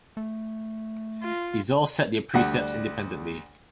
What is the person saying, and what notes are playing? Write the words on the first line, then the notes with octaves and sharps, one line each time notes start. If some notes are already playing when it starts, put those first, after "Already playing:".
These all set their precepts independently.
A3
F4
D2 G3 F#5